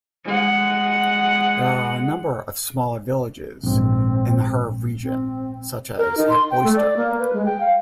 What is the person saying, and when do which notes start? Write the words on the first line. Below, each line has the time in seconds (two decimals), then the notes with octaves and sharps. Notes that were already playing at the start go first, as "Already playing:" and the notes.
There are a number of smaller villages in the Herve region, such as Hacboister.
0.25 G#3 F#5
3.63 A#1 G#2 C4
5.03 C4
5.98 A#4
6.17 D#4
6.29 C6
6.51 G5
6.64 A3
6.76 D5
6.97 A#3
7.19 B4
7.33 G#3
7.46 G5
7.60 F5